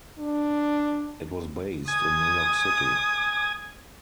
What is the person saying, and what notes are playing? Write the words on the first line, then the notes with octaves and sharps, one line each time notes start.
It was based in New York City.
D4
G#5 D#6